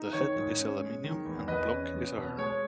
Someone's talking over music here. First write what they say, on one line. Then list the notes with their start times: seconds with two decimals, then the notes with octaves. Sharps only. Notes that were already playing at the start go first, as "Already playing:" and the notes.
The head is aluminium and the block is iron.
Already playing: D#4
0.13 D#3 C#5
0.36 G#2
0.58 C#4
0.81 G#3
1.04 D#3
1.25 E2
1.48 E2 B4 D#5
1.70 C#4
1.94 E2
2.16 B2
2.38 G#3 C#5